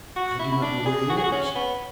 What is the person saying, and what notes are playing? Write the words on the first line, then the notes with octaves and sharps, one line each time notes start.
"I do not know where he is."
F#4
E4
E4
D4
G#4
F#4
G#4
F#4
C#4
C#4
B3